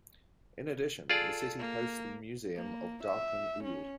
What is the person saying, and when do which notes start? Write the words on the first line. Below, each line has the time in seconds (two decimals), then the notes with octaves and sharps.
In addition, the city hosts the Museum of Darkhan-Uul.
1.10 F4 G#4 A4 D5
1.59 A#3
2.56 A#3
3.04 E5
3.64 C#4